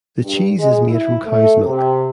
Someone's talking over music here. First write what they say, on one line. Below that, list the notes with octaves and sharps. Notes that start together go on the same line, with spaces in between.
The cheese is made from cow's milk.
G2
G#3
E4
A3
C3